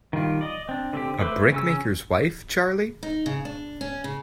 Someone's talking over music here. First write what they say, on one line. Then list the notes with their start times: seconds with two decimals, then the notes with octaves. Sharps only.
A brickmaker's wife, Charley?
0.13 D#3 G3 F4
0.41 D5 D#5
0.69 C4 D4
0.93 D3 C4 G4
1.20 A3 B4 C5 D6 E6
1.52 C#3 C#4 E6
3.03 D#4
3.26 C#3
3.45 D4
3.81 C#4
4.04 C#3